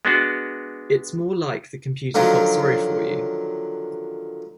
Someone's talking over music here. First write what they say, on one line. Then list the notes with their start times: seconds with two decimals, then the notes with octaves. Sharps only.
It's more like the computer felt sorry for you.
0.05 G#3 B3 D4 F#4
2.15 D3 D#3 F3 F#3